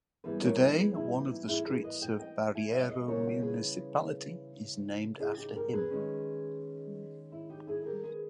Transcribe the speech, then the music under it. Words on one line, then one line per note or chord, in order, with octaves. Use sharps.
Today, one of the streets of Barreiro municipality is named after him.
E3 G3 B3 G#4 B4
A#4 C#5
B4 D#5
G#4 B4
E4 G#4
D#4 G4
E4
E4 G#4
G#4 B4
B4 D#5
D#5 G5
D#5 G5
E5 G#5
C#5 E5
B4 D#5
C#3 E3 G3 A#4 C#5
G#4 B4
E4 G#4
D#4 G4
G4 A#4
G#4 B4
D#3 G#3 C#4
E4
D#4 G4
E4 G#4
G4 A#4
G#4 B4